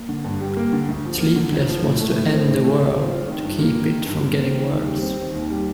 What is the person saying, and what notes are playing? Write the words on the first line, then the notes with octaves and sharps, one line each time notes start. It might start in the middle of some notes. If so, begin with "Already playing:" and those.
Sleepless wants to end the world to keep it from getting worse.
Already playing: A#3
D3
G2
G3
A#3
D3
D2
F3
A#3
D3
D2
F3
A2
A3
A2
C4
A2
A3
A2
C4
F4
D#3
G2
A#3
F4
D#3
G2
A#3
C4
D#3
D#2
G3
C4
D#3
D#2
G3